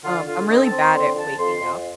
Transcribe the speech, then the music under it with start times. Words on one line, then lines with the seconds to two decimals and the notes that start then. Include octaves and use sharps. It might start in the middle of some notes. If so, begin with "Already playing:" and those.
um, I'm really bad at waking up
0.04 D3 F4
0.26 D3 F4
0.49 C4 D#5
0.64 A5
0.72 C4
0.79 C6
0.94 D3 C6
1.16 F2 A5
1.38 F2 C6
1.61 F2